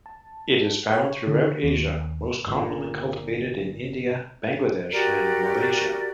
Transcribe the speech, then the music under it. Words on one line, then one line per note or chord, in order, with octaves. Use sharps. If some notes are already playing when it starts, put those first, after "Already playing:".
It is found throughout Asia, most commonly cultivated in India, Bangladesh and Malaysia.
A5
C#5
D3
D#2
G1 A#2
F#4 G4 A#4 D5